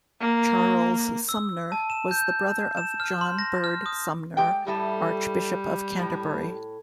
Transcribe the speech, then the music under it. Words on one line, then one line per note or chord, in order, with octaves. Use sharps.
Charles Sumner was a brother of John Bird Sumner, Archbishop of Canterbury.
A#3
E6
A5
E7
G6
E7
F6
C6
A#6
F6
D#6
G#3 G4 G5
A2 G3 A3 A5
A2